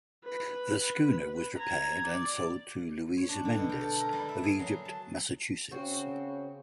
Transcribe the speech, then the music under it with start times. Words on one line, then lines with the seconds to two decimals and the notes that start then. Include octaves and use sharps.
The schooner was repaired and sold to Louisa Mendes of Egypt, Massachusetts.
0.24 B4
1.09 B4
1.58 A#5 G#6
2.05 D5
3.18 C#5
3.29 D4
3.45 D3
3.57 B2
3.69 G5
3.81 A4
4.01 A#4
4.13 G3
4.29 E5
4.44 G#4
4.59 F#3
4.85 A5
5.71 C#3 C4 F#4